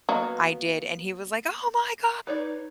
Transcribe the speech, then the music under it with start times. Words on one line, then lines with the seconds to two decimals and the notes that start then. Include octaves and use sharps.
I did, and he was like, "Oh my god!
0.09 F#3 A#3 B3 D#5
2.27 D#4 B4 C#5 D5